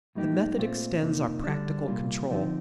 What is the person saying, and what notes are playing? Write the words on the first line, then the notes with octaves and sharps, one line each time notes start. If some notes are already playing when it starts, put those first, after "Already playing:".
The method extends our practical control.
A2 G3 A#3 D#4 G4
A#2 A3 C4 F4
F2 C3 F3 A#3 D#4
D2 D3 G3 D4
C2 A#2 G3 A#3 F4
D3 F3 C4 D#4 G4